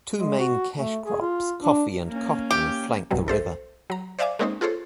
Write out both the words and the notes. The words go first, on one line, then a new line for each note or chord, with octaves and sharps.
Two main cash crops, coffee and cotton, flank the river.
G#3
F#4
A3
G#4
F4
D4
A#3 C#4
G4
A1 F#2 B2 F#3 G3
B1 A4 C5 E5
F#3 A#5
C5 D5 E5 F5 G#5 D6
G#3 A#3 C4 C#4 D#4 C5
F4 G#4 A4 C5 C#5